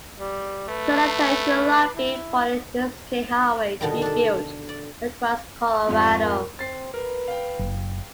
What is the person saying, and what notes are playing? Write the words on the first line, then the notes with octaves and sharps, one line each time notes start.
Senator who lobbied for an Interstate Highway to be built across Colorado.
G3
A3 B4
E4
B2 D3 D#3 G3
D4 A4
D5
F2 G#2 F3 G3
A#4
C4 A6 C7
A#4 B4
F5 G5
F#1